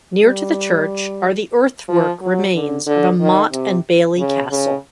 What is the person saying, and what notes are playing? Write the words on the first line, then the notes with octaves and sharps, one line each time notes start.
Near to the church are the earthwork remains of a motte and bailey castle.
G3
F3
F#3
D3
D3
D#3
C3
C#3
C#3